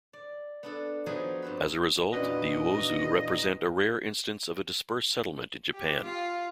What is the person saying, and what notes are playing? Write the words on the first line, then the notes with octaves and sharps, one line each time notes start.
As result, the Uozu represent a rare instance of a Dispersed settlement in Japan.
D5
B3 D4 A4
F3 F#3 B3 D#4 G#4
G2 C4 B4
E2 A#2 D#3 D4 F#4 B4 D#5
G4
F4